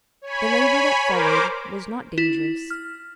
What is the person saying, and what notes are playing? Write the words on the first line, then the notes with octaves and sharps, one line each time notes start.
The labor that followed was not dangerous.
C#5 G#5 B5
A#4 C5 D6
E4
F6